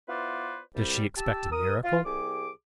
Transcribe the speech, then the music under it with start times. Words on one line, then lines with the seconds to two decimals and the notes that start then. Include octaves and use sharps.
Does she expect a miracle?
0.09 B3 E4 F4 B4 C5 D5
0.75 C2 G3
1.17 G4 A5 E6
1.51 A#4 D#6
1.84 F4
2.05 C2 G4 G#4 D6